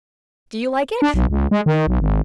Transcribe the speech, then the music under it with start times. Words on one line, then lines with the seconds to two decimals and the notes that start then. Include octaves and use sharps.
Do you like it?'
1.02 D4
1.14 B1
1.30 C#2
1.51 G#3
1.66 D#3
1.87 B1
2.00 G#1